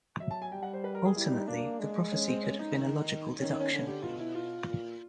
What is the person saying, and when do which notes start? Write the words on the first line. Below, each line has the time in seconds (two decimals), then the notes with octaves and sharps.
Alternately, the prophecy could have been a logical deduction.
0.20 F#3 E5
0.31 A5
0.42 G#5
0.52 G3 G5
0.63 F#5
0.73 C5
0.84 B4
0.95 A#4
1.05 G#4
1.16 G3 E4
1.32 D#4
1.48 A#3 D4
1.80 G#3
2.12 C#4
2.28 C4
2.43 C#4
2.59 D#4
2.75 D#3 D#4
3.39 D#3 C#4
3.49 C#4
3.60 C#4
3.71 D3 C#4
3.87 G4
4.03 B2 F4
4.19 E4
4.35 F4
4.67 A#2